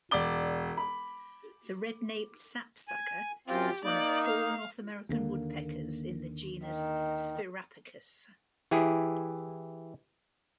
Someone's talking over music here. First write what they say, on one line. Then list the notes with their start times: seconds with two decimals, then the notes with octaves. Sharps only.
The red-naped sapsucker is one of four North American woodpeckers in the genus "Sphyrapicus".
0.11 E1 D5 D6 G7
0.77 B5
2.88 G#5
3.48 F#2 C4 F4 G4
3.84 A#3 D#4 D5
4.25 F5
5.09 D#2 D3 A#3
6.66 D#3
8.71 E3 E4 G4 G#4